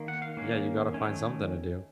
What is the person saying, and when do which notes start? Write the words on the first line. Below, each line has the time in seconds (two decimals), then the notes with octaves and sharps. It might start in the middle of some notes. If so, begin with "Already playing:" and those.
Yeah, you gotta find something to do.
Already playing: D#3 A#3
0.08 F#5
0.22 F5
0.37 D#3 A#3 C#4
0.94 D#3 A3 C#4